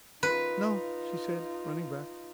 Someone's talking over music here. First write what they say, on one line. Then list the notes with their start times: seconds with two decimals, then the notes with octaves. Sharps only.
"No," she said, running back.
0.23 D#4 F4 B4